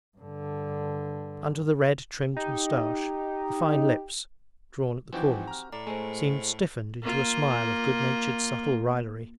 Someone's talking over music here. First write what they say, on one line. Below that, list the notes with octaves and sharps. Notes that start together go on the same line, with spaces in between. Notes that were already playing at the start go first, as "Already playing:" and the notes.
Under the red trimmed moustache the fine lips, drawn at the corners, seemed stiffened into a smile of good-natured subtle raillery.
G2 D3
D#4 G4
E3 F3 C4 D#4 F#4 G4 G#5
A#5 F6
A2 D5 A#5
G#3 A3 C5 A5 D7
A#3 F4